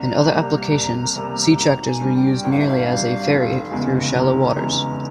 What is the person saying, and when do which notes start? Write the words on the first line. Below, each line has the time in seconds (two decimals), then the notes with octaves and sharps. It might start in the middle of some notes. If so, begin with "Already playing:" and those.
In other applications, sea tractors were used merely as a ferry through shallow waters.
Already playing: C2 A#5
0.30 C3 G3 A#3
0.72 C2
1.16 C3 G3 A#3
1.58 G#1 A#5
1.86 G#5
2.01 G2 G3
2.16 G5
2.44 G#1 G5
2.51 F5
2.60 E5
2.68 F5
2.86 G2 G3
3.28 F1
3.71 E2 C#3 E3 G#3
4.14 F1 A#5
4.56 E2 C#3 E3 G#3 A#5